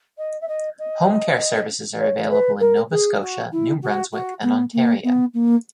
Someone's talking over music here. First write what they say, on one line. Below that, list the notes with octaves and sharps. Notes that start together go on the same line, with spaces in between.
Home care services are available in Nova Scotia, New Brunswick, and Ontario.
D#5
E5
D#5
D#5
C#5
C#5
B4
A#4
G#4
F#4
E4
F#4
F#4
B3
A#3
B3
A#3